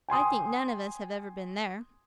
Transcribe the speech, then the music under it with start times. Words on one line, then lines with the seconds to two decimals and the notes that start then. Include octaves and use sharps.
I think none of us have ever been there.'
0.08 G5 G#5 C6 D#6